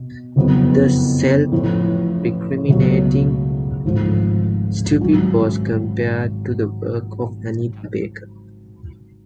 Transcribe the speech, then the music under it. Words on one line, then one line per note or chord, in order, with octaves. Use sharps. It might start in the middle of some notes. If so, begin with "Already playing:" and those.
The self-recriminating "Stupid" was compared to the work of Anita Baker.
Already playing: B2
F#1 F2 C#3 F#3 B3
A1 A2 F3
C#2 B2 F#3 A3
G#1 G#2 F3 A3 F4
G#1 G#2 F#3 C#4 F4